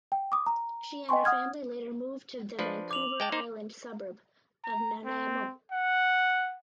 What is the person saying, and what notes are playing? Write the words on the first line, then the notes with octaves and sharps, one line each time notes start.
She and her family later moved to the Vancouver Island suburb of Nanaimo.
G5
D6 D#6
A#5
D#5 G5 G#5 C6 C#6
F#5 D#6 F6 G#6
F3 D4 B4
D6 F7 F#7
G#3 G5 A5
D#4 C5
A#5
C4
F#5